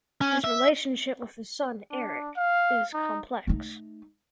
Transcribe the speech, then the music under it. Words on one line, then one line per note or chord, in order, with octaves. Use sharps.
His relationship with his son Eric is complex.
C#4
E5
D4
F5
D#4
A3 D#4